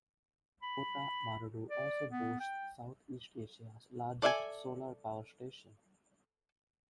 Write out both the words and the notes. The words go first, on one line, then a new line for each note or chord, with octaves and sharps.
Kota Marudu also boasts Southeast Asia's largest solar power station.
B5
D5
B3
G5
A4 D5 E5 F5 G#5